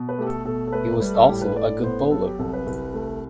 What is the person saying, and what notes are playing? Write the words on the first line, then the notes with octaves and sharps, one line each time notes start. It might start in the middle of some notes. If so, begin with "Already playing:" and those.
He was also a good bowler.
Already playing: B2
B4
A3 G4
A4
B2 A4
A4
A3 B4
G3 B4
A4
A2 G4
B4
A2 D5
B3 C5
F#3 A4
G4
C2 A4
B4
C2
A3